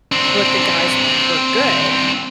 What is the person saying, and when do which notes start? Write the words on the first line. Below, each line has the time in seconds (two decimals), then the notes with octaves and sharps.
but the guys were good,
0.12 C4 D4